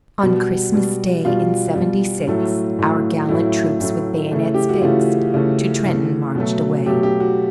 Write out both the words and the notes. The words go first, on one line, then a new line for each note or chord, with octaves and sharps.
"On Christmas day in Seventy-six, Our gallant troops with bayonets fixed, To Trenton marched away."
B2 G3 F#4
B2 G3
B2 G3 F4
B2 G3
A2 F#3 A3
A2 F#3 A3
A2 F#3 A3 E4
A2 F#3 A3
C#3 E3 A3
G4
F#4
C#3 E3 A3 F4
C#3 E3 A3
C#3 E3 A3
B2 F#3 A3
B2 F#3 A3 G4
G4
F#4